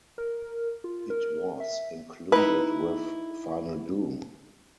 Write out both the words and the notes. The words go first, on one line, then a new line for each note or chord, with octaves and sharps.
It was included with "Final Doom".
A#4
F4
A#4
E5
D#4 E4 B4